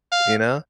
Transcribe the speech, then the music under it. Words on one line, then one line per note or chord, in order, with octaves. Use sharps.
You know?
F5